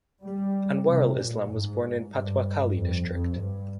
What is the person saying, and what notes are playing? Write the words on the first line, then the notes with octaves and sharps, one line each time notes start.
Anwarul Islam was born in Patuakhali district.
G3
C3
A#2
G#2
G2
F2
F2
G2